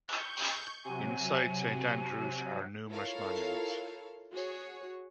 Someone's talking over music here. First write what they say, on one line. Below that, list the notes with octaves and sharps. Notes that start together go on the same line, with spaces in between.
Inside Saint Andrew's are numerous monuments.
C#6 G6
C3 F#3 G#5
E4 F4 A4 A#4 C#5 F5
F#4 G#4 C#5